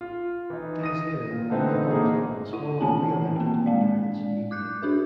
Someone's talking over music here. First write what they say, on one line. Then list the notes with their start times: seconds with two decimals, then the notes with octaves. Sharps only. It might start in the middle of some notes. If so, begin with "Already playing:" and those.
Days later the reformed club was formally re-elected under its new name.
0.01 F4
0.50 E3 D#4
0.81 D#6 A#6 D#7
1.31 A#2
1.50 D3 E3 A3 C4 D#4 B4
1.90 A#3 D4 D#4 G#4 A#5
2.53 E4 F#5
2.81 D#3 E3 A3 B3 C#4 A5
3.36 A#3 C4
3.66 G#3 D5
4.51 D6 F#6 G6
4.82 D4 F#4 A#4